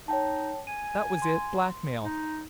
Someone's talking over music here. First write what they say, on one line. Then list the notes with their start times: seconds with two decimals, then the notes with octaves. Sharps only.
That was it--blackmail.
0.08 D#4 C#5 G5 A5
0.67 G#5 D#7
1.22 C6
2.04 D#4